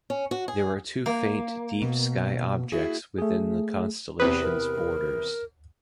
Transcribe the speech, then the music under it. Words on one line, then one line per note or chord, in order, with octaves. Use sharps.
There are two faint deep sky objects within the constellation's borders.
C#4
F#4
G#4
A#3
B2
E4 F#4 G#4
A3 G#4
E2 C3 B4 D#6 F#6
A#4